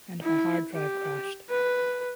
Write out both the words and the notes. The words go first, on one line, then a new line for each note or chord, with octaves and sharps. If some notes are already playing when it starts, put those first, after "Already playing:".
And my hard drive crashed.
E4
G4
B4